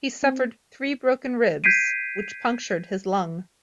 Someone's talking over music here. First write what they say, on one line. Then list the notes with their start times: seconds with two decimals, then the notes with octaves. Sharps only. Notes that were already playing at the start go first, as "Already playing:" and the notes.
He suffered three broken ribs, which punctured his lung.
0.23 C4
1.64 G6 G#6 B6 C7 D7 D#7